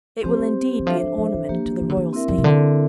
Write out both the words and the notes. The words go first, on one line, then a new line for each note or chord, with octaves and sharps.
It will indeed be an ornament to the royal stable.
F3 C4 G4 C5
G3
E3
F3 D4 A4 C5 E5
F3
F3
E3
F3 A#3 D4 G4
E3
E3
D3
E3
C4 E4 A#4 E5
F2
C3
D3